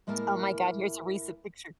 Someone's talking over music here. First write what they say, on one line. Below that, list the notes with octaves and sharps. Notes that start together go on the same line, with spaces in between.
Oh my God. Here's a recent picture.
A2 G#3 A#3 E4 A#4 A5